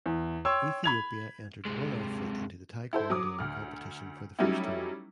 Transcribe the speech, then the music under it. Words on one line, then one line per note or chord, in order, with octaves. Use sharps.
Ethiopia entered one athlete into the taekwondo competition for the first time.
E2
C#5 G5 C6 E6
B5 G#6 F7
C3 G#3
E4 A4 C5
F#3 D6 D#6
D2 F6
F#3 G3 A3 C#4 D#4 E4